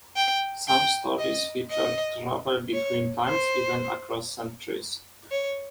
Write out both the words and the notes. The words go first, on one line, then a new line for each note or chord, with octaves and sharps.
Some stories feature travel between times, even across centuries.
G5
G5
D#5
D#5
C#5
C5
C#5